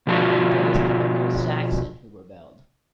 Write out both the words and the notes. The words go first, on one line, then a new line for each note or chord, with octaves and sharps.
But this time it was Saxon who rebelled.
B2 F3 D4 F4 F#4